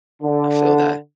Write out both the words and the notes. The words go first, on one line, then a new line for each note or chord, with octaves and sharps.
I feel that.
D3